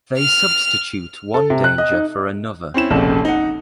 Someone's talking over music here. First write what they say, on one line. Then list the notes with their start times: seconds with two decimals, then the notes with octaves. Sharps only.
They substitute one danger for another.
0.18 F6
1.34 A4
1.50 C3
1.64 F#6
1.78 D#5
1.92 D#4
2.74 C4 C#4 E4 E7
2.90 F1 A#1 F2 C#3
3.25 D#4 F#5